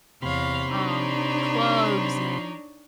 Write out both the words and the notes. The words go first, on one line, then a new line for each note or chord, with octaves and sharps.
Um, clubs and,
E2 C3 C#5 F5 B5 C6
D4 D#4 C#5